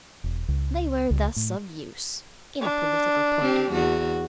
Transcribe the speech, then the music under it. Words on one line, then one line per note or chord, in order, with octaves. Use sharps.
They were thus of use in a political point of view.
E1
C#2
C#2
A2
D4
C4 G4
E2 F#4